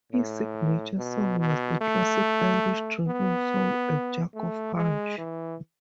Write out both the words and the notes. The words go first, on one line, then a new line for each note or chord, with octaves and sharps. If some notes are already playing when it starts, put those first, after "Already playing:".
His signature song was the classic Irish drinking song, A Jug of Punch.
A2
B2
B2
A3
B3
A3
G#3
E3